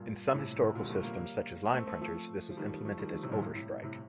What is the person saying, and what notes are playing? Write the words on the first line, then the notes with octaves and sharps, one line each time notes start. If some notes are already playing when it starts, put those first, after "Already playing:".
In some historical systems such as line printers this was implemented as overstrike.
Already playing: G2 A#2
A2 C3
A2 C3
A#2 D3
G3
F3 A3
G3 A#3
A3 C4
A3 C4
F3 A3
F3
D#3 G3
F3 A3
D#3 G3
F3 A3
A2 C3
G2 A#2
A2 C3
A2
A2
A2 C3